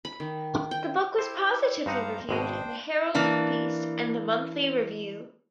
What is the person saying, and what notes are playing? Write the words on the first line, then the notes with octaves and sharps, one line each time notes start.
The book was positively reviewed in "The Herald of Peace" and "The Monthly Review".
B5
D#3
G5
E4 G4 C5
G2 D#4 C5 F5 F#5 A#5
G#1 B2 D4 C5 D#5 G5
E3 A#3 D4